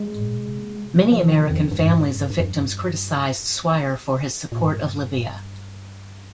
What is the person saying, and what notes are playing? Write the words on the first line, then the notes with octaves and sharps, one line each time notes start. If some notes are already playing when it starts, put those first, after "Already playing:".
Many American families of victims criticised Swire for his support of Libya.
Already playing: G#3
F3
D#3
F2
G2
G#2
G2
G2
F2
G2
A#2
G#2
G2